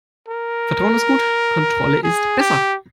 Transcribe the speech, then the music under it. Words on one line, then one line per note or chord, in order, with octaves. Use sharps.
Vertrauen ist gut, Kontrolle ist besser.
A#4
G#4
G4